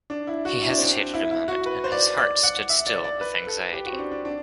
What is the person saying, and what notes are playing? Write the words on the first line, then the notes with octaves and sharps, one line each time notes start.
He hesitated a moment, and his heart stood still with anxiety.
D4
E4
F#4
E4
D4
C4
D4
E4
E4
F#4
B4
C5
D5
D5
F#5
E5
D5
D5
B4
A4
G4
F#4
C4
D4
D4
D4